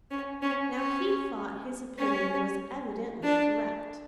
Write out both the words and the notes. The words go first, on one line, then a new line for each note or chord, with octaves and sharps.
Now he thought his opinion was evidently correct.
C#4
C#4
C#4
C#4
D4